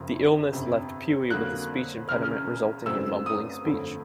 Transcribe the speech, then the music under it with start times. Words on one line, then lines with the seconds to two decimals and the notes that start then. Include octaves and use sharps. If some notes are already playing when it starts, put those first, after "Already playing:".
The illness left Puey with a speech impediment resulting in mumbling speech.
Already playing: F#1 F2 C3 F3
0.53 G1 F2 C3
1.30 F2 D3 F#3 A#3 F#6
2.09 E1 E2 C#3 F6
2.86 F#2 C#3 F#3 A3 C4 E6
3.26 D#6
3.64 G1 F2 D3 F3 A3